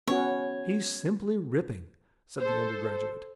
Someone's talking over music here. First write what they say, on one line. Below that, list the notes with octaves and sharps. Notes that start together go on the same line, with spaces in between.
"He's simply ripping!" said the undergraduate.
B3 C#4 F#4 C#5
A4 C5